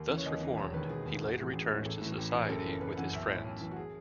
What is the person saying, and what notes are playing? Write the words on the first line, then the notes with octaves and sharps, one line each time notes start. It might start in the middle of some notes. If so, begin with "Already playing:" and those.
Thus reformed, he later returns to society with his friends.
Already playing: D#2
C#3 E3
C#5
D#2 D#5
C#3 E3
E1 C#5
D#2 D#3 B4
E1 G#4
D#2 D#3
A1 F#4
G#4
A2 E3 F#4
A1 G#4
A2 E3
A1 A4
A2 E3
A1
A2 E3
G#4
F#1 A4
F#2 C#3 E3
F#1 B4
F#2 C#3 E3 F#5
B1 E5
A2 E3
B1
A2 E3
F#4
G#4